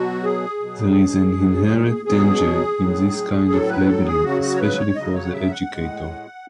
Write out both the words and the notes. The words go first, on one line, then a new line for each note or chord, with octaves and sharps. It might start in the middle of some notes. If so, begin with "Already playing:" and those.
There is an inherent danger in this kind of labeling especially for the educator.
Already playing: B2 F#3 F#4
G#4
B2 F#3
B2 F#3
B2 F#3 G#4
A2 F#3
A2 F#3 A4
B4
A4
G#4
C#3 F#3 F#4
F#4
C#5
B4
C#5
C#3 F#3 D#5
C#5
F#5
E5
F#5
A2 G#3